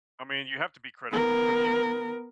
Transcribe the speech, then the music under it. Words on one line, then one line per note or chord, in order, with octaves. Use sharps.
I mean, you have to be critical, 'cause you
B3 A#4